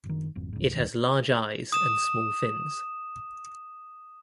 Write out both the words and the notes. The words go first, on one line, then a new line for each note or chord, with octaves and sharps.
It has large eyes and small fins.
F#1 D#3
G#1 F2
C#2 G#2
D2 G#2 D#3
D#6 E7